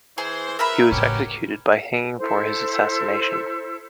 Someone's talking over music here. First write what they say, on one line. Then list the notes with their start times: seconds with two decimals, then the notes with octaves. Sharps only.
He was executed by hanging for his assassination.
0.18 E3 G#4 C5
0.59 A#4 B4 E5 B5
0.92 A2 C#3 C#4 F#4 G4
2.19 E4 A4 C5